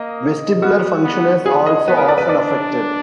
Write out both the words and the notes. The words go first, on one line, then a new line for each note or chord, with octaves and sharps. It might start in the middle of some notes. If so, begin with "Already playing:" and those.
Vestibular function is also often affected.
Already playing: A#3 D#5
B3 F#4
B3
B3 G#4
D#5
B3 B4
A#4
D5
B4
D4 D5